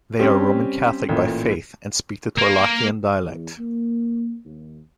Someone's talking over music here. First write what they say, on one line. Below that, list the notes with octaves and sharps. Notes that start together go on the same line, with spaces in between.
They are Roman Catholic by faith and speak the Torlakian dialect.
G3 C4 C#4 G4
A1 A#2
A#3
E2
A#3
D#2